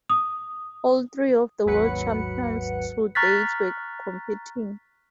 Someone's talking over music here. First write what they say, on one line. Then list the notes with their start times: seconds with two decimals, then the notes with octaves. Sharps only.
All three of the World Champions to date were competing.
0.10 D#6
1.65 G#1 D#2 F#3 B4 F#5 C#7
3.15 A#5 C#6 F6 F#6 A6 B6